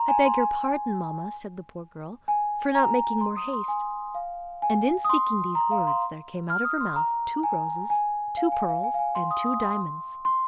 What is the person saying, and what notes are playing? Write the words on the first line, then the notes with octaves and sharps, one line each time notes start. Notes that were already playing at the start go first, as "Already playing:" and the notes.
"I beg your pardon, mamma," said the poor girl, "for not making more haste," and, in speaking these words, there came out of her mouth two roses, two pearls, and two diamonds.
Already playing: A#5 C6
G#5
C6
G#5
G#5
A#5
C6
D#6
C6
G#5
F5
G#5
D#6
C6
A#5
F5
C6
F6
D#6
C6
A#5
G#5
G#5
F5
G#5
F5
G#5
F5
G#5
C6
D#6
D#6
C6
C6